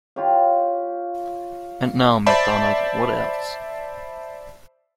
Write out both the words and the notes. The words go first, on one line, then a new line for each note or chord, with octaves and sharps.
And now, Mcdonald, what else?
F4 G4 C#5 F5
C5 D5 E5 A5 B5